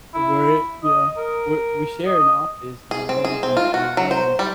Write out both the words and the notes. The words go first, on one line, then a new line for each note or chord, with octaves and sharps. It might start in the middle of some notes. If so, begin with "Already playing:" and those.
where it Yeah, we're we share an office, and we're always in the same room,
E4
D#5
A#4
D#5
G#4
C4
G#4
C4
F4
F#4
F#3
C5
G3